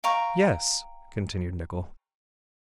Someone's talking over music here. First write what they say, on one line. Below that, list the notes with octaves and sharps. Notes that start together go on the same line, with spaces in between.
"Yes," continued Nicholl.
F5 G5 A#5 C#6